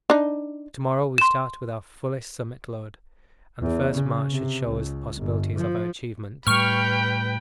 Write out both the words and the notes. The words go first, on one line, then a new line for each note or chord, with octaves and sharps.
To-morrow we start with our fullest summit load, and the first march should show us the possibilities of our achievement.
D4 D#4
C6 E7
E2
C#3
C3
C#2
G1
F3
A2 G3 B4 G5 C#6 F6